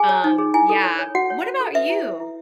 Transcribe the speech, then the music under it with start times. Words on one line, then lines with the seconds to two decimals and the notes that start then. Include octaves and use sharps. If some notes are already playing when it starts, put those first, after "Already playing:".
Um, yeah. What about you?
Already playing: G#4 G#5
0.09 C#5
0.24 D#4
0.38 G#4
0.54 E4 G#5
0.69 A4
0.84 C#5
0.99 C#5
1.15 F#4 F#5
1.30 C#5
1.44 F#4
1.60 A4
1.74 B4 E5
1.90 E4
2.05 B4
2.20 E4